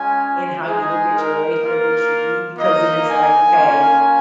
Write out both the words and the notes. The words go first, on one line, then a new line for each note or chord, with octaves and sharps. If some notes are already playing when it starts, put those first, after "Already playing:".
in how you look at your life and what you do, because then it's like, okay,
Already playing: G#3 C#4 F4 G#5
G#3 D#4 G#4
A#4
A#3 F4
A#3 D#4 D#5
G#5
A#3 C#4 F4